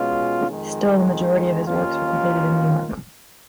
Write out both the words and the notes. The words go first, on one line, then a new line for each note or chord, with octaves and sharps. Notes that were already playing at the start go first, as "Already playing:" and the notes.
Still, the majority of his works were completed in New York.
Already playing: B2 G#3 C#4 F4
F2 D#3 G#3
D#2 D#3 A#3 C#4 F4